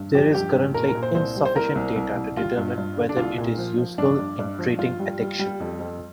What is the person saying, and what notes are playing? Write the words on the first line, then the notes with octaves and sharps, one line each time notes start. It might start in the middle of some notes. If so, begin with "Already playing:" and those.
There is currently insufficient data to determine whether it is useful in treating addiction.
Already playing: G2
F3 G4
G2 G4
G2
A#2 A#4
A#4
A#2
C5
C2 C5
G3
C5
C2 A#4
C2
C2
C2
G3 F4
G2
G2
D3
D4
C2 F4
A#2
F3
F3
G2 D4
G2
G2
F3
G2 F4
G3
G3
G3
F2
F2